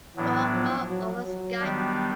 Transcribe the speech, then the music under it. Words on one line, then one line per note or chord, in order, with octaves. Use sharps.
Call Marc over Skype.
A2 E3 F#3 B3 D4
F3
F#3
F#3
D#3 G3 B3 D4 G4